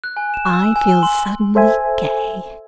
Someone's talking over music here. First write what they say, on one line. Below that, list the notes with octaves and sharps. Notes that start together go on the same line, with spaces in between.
I feel suddenly gay.
F#6
G#5
E7
E6
G#5
G7
C6
A4 C5 E5 G#5